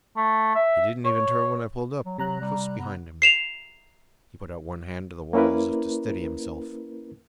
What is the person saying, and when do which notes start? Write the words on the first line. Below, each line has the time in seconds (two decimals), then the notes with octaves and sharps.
He didn't even turn when I pulled up, close behind him; he put out one hand to the wall, as if to steady himself.
0.17 A3
0.55 E5
1.05 C#5
2.05 F#3
2.18 C3 F#3 A#5 F#6
2.41 G3
2.79 B3
3.22 C7 E7 F7
5.33 A#3 C#4 E4 A#4 B4